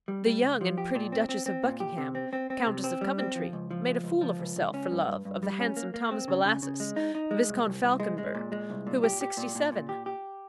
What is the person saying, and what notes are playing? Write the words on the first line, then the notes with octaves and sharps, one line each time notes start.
The young and pretty Duchess of Buckingham, Countess of Coventry, made a fool of herself for love of the handsome Thomas Bellasys, Viscount Falconberg, who was sixty-seven.
G3
G3
C#2
F3
G4
A#2
C4
C4
C4
A#2
G4
C3
C4
C4
C4
C3
C4
G3
C4
F3
C#2
F3
C#2
C#2
F3
C#2
C#2
C#4
G2
G2
G2
G3
C#4
A#3
A#3
C4
C#3
C#3
C#3
G#3
D#4
D#4
G#3
C2
C2
C2
G#3
G#3
A#2
G#3
C2
A#2
G4
G4
A#2
A#2
A#2
G4
G4